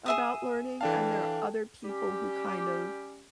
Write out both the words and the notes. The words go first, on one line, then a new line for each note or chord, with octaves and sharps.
about learning, and there are other people who kind of
G#4 E5 D#6
E3 D4 A4 F5 G5 A5
G3 C#4 G4